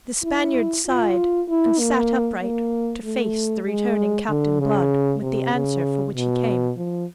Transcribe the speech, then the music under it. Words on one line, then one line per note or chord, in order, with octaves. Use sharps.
The Spaniard sighed, and sat upright to face the returning Captain Blood with the answer for which he came.
E4
F4
E4
A#3
A#3
A3
G#3
D3
C#3
C3
C#3
B2
F3